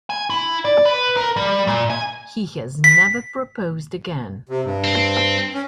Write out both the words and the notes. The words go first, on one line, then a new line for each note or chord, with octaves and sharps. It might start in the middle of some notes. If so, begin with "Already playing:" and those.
He has never proposed again.
G#5
E4
D5
B4
A#4
G3
A#2
G#5
B6
C3
G2
C4
C#4